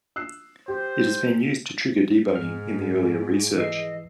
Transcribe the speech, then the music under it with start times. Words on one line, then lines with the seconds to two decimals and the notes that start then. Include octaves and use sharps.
It has been used to trigger debugging in the earlier research.
0.16 E6 F#6 C7
0.68 G4 C5
2.36 G#2 G#4 F6
3.56 E3 D#5 E6 C7